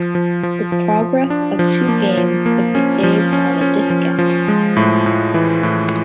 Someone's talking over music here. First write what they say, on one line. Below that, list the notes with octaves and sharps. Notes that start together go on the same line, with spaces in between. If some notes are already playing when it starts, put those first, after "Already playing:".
The progress of two games could be saved on a diskette.
Already playing: F3
F3
F3
F3
F3
D4
F3
A#3
F3
A#3
C#4
F3
C#4
C#4
F3
F3
G#3
A2
A2
E3
A2